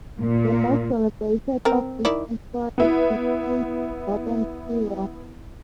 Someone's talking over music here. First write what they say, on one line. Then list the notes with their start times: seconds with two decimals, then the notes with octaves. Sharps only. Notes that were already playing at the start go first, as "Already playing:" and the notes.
The most celebrated of these sanctuaries is in Northern Syria.
0.19 A#2
1.65 C4 A#4
2.05 D#3 E4 D5
2.78 B3 E4